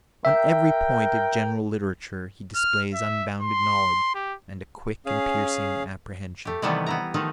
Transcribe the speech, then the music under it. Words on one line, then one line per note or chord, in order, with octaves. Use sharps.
On every point of general literature he displays unbounded knowledge and a quick and piercing apprehension.
A#4 E5 G5
F6
E5
C6
G4
C#4 G#4 F5
A3 G4
C3 D#3 E3 G3 A3 B3
B3 E4 A#5
D#3 F3 A3 D#4